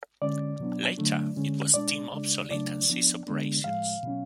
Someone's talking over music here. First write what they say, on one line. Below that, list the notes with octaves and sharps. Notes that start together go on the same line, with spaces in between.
Later, it was deemed obsolete and ceased operations.
D3 G#3 C#4 D5
B2 F#3 B3 D4
D3 F#3 A3 D4
D3 G#3 C#4
B2 G#3 D4 D5
C#3 G#3 D4
C#3 F#3 A3 D4 D5
F3 B3 D4
D3 G#3 B3 D4
A2 F3 G#3 F5
B2 F#3 C#4